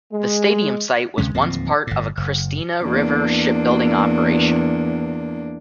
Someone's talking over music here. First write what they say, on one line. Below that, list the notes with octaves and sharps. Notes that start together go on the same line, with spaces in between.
The stadium site was once part of a Christina River shipbuilding operation.
G#3
D2 C3 G#3 C#4
D1 D#2 F3 C4
G1 A2
F#1
E2 A#3 D4